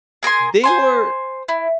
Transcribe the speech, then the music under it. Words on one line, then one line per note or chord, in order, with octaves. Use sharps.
they were,
G#4 A#4 G#5 C6
C5 G#5 C6
E4